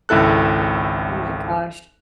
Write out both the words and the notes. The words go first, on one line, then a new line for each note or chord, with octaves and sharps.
Oh my gosh.
G#1 C#2 E4 A4 F#6